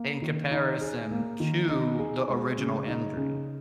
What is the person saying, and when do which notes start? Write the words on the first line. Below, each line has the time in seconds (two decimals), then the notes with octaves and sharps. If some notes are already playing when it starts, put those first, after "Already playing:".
in comparison to the original injury?
Already playing: A#3
0.22 D#3
0.51 D#4
0.81 G#4
1.11 A#3
1.40 D#3
1.69 D#4
1.99 G#4
2.28 G#3
2.58 C#3
2.87 D#4
3.17 C#3